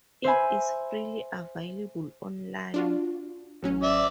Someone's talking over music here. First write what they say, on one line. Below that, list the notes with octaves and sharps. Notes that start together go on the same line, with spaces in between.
It is freely available online.
C5 E5 G#5 B5
D4 F4 F#4
A1 F#3 C#4
D5 E5